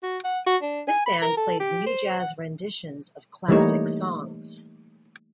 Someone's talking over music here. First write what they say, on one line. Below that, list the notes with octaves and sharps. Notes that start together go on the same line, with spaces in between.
This band plays new jazz renditions of "classic" songs.
F#4
F#5
F#4
D4
G#5
B5
A#4
A4
G4
C5
F#5
E3 G3 A3 A#3 D#4 C#5